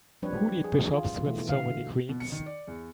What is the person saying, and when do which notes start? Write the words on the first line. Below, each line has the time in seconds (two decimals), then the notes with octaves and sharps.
Who need bishops with so many queens?
0.22 F3 G3 C4 D4 B4 C#5
0.64 G#4
0.93 F4
1.25 B2 E3 A3
1.49 B2 D3 F5
2.09 B2
2.20 C#7
2.32 D#3
2.46 D5
2.68 E2